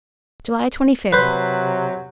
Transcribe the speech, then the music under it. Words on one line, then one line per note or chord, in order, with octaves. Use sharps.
July Twenty-fifth.
C3 F#3 B4 C5